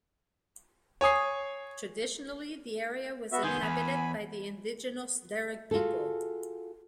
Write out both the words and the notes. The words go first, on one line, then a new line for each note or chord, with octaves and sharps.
Traditionally, the area was inhabited by the indigenous Dharug people.
C#5 G#5 D#6 C7
B3 F#4 E5
D#3 B3 G#5 C6 G6
E2 G#5 B5
F4 F#4 G#4 A4